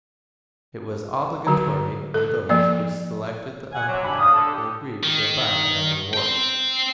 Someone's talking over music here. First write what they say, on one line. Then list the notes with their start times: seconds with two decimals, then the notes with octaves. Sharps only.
It was obligatory on those who selected the umpire and agreed to abide by the award.
1.47 D3 F#3 F#4
2.14 A4
2.49 F3 A#3 D5
3.72 F#5 G#5
3.88 C3 F#3
4.04 D4 G4 G#5 B5
4.18 F5 D#6
4.33 D3 A4
4.52 G4
5.03 D#3
6.14 C5 G5